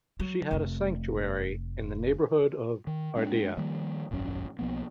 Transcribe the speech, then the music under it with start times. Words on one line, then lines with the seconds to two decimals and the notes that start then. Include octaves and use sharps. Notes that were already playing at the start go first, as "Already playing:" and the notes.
She had a sanctuary in the neighborhood of Ardea.
0.20 F#3
0.51 F1 A3
2.87 D#3
3.16 G#3 C4 D4
3.57 D#3 F3 G3 A#3
4.11 D#1 G#1 F#2 C#4
4.59 B1 F3 A#3 B3